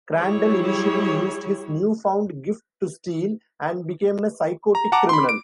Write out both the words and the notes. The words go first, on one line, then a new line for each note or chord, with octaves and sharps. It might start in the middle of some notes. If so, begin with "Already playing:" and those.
Crandell initially used his newfound gift to steal, and became a psychotic criminal.
F#3 G3 E4 G4 G#4 C#5
A#5
F#5 A5 A#5 D6
B5 C6
D7